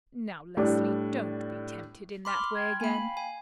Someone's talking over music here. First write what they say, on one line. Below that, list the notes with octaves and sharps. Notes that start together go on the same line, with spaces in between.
Now, Leslie, don't be tempted in that way again.
A2 G3 D4
B5 C6 D6 F6
G5 G#6
A#3 G5 G#5 B5
F5
G#5